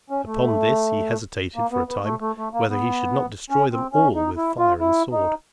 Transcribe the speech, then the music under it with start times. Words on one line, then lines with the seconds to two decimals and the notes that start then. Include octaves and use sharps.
Upon this, he hesitated for a time, whether he should not destroy them all with fire and sword.
0.10 C#4
0.26 A3
1.55 A#3
1.72 B3
1.88 B3
2.04 A3
2.20 A3
2.37 A3
2.53 A#3
2.69 B3
3.50 C#4
3.72 C4
3.93 C#4
4.15 D#4
4.37 E4
4.58 F4
4.80 E4
5.12 D#4